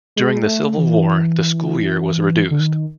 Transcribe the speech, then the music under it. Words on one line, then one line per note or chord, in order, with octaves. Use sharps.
During the Civil War, the school year was reduced.
G#3
G#3
A3
E3
D3
D#3